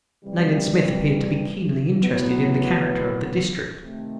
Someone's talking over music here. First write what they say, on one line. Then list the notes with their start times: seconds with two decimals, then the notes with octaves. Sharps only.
Nayland Smith appeared to be keenly interested in the character of the district.
0.24 C3 E3 G3
2.02 A2 F#3 B3
3.82 C3 D#3 A3